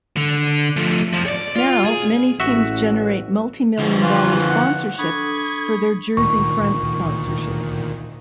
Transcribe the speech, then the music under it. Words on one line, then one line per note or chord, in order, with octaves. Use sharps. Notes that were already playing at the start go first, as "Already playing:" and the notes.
Now, many teams generate multimillion-dollar sponsorships for their jersey-front sponsorships.
D3
F3 A3
F2 F3
C#5 D5
F4
G#4
A1 F#4 E5
D3 F3
E3 F4
F#5
D4 A4 B5 C#6 D#6 G#6
D2 A#2 D#3 C#6